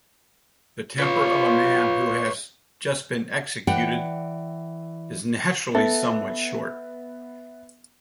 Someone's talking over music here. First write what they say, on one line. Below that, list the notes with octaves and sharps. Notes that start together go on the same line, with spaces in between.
The temper of a man who has just been executed is naturally somewhat short.
F4 B4 C#5
E3 D5 F#5 G5
B3 A4 E5